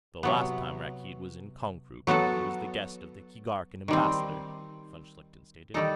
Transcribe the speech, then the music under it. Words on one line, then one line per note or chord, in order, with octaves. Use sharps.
"The last time Rakkeed was in Konkrook, he was the guest of the Keegarkan Ambassador," von Schlichten stated.
C3 F#3 B3
F#3 B3 F#4 A4
D#3 G3 C4
D#3 G3 D#4 A4